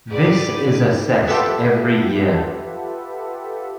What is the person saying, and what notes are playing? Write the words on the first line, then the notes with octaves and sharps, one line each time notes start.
This is assessed every year.
G#2 G4 B4 D5
F4 G4 A4 B4 E5 F#5